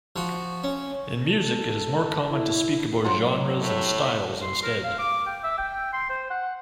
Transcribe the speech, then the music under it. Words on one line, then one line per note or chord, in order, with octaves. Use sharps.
In music it is more common to speak about genres and styles instead.
F3 F#4
C#4
A4
E4
F#3 F4 F#4 C5
A2
C6
A#4
F5
D6
G5
E5
G5
C6
C5
F#5